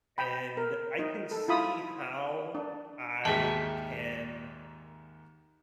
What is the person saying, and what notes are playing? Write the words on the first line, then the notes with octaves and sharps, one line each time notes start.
and I can see how I can
G5 B5
A#4
D#4
A4
E4 F4 B5 D#6
D4
D#2 G#2 D#3 G#4 E5 G5 A5